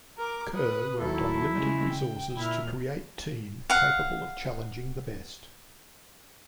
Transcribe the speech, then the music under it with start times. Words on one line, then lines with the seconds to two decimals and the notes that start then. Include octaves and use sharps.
Kerr worked on limited resources to create team capable of challenging the best.
0.16 A#4 D6
0.52 B4 D#6
0.99 D#2 F#3 E4 A4
1.55 C#3 G#3
1.90 G5
2.36 A#2 E4 F6
3.70 F5 F#5